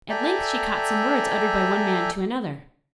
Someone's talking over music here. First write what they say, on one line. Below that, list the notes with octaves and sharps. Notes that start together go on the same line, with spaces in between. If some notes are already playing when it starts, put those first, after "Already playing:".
At length she caught some words uttered by one man to another.
A4 D5 E5 G5 G#5 A#5